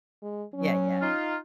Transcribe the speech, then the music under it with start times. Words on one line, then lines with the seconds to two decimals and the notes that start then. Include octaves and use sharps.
Yeah, yeah.
0.22 G#3
0.54 F#3 C#4
1.01 D#4 F4